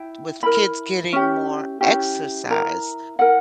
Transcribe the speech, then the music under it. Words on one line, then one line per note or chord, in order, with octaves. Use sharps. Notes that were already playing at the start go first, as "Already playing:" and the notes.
with kids getting more exercise.
Already playing: E4 G5
E4 A#4 B5
C#4 E4 G4
C#4 E4 G4
E4 A#4 A#5
E4 A#4 F#5